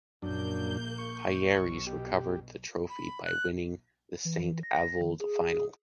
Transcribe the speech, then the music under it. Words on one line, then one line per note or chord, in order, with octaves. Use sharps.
Hyeres recovers the trophy by wining the Saint-Avold final.
A#1 F#2 A#3 D4 G6
C#6
B1 B2
G4
B5
F#6
E3
A#6
D#3
G#4